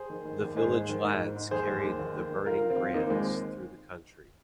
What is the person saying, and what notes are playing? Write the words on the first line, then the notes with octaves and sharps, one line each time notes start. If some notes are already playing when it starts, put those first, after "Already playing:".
The village lads carried the burning brands through the country.
Already playing: G#4 C5
D#3
D#3
D#2
G#2 G#4 C5
G#2
D#3
G#2
G#2
G#2
D#2 G#4 C5
D#2
D#3
D#2
D#3
D#3
D#3 F4 A#4
D#3
C4 F4
D#3
D#2 A#3 D#4
D#2 G#3 C4